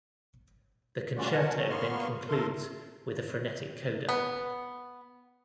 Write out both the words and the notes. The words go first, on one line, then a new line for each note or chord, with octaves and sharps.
The concerto then concludes with a frenetic coda.
G3 A3 C#4 F4 F#4 D5
A#4 F#5 G#5 A5
F#3 C#4
A#3 B3 C6 C#6 F6
A3 A4 A#4 C6
B3